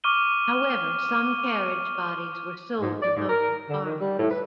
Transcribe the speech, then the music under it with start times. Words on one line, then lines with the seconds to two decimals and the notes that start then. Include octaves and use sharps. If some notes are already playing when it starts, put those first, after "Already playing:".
However, some carriage bodies were sold to local farmers.
0.04 C#6 D6 F6 D#7 G7
2.81 G#2
3.02 D5
3.17 G#2
3.29 A#4
3.69 D3
3.85 D#3
4.01 G3
4.19 A2
4.31 B4